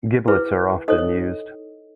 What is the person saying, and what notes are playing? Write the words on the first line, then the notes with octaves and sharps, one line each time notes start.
Giblets are often used.
E4 G#4 B4
D#4 A4 C#5 D#5
C#5